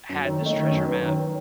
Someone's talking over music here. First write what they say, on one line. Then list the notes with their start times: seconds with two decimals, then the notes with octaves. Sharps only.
had this treasure map"
0.09 F#2
0.25 D#3 C#5
0.41 A3
0.46 D#5
0.56 D#3
0.67 F#2 C#5
0.87 F#2 B4
1.02 D#3
1.08 C#5
1.18 D#3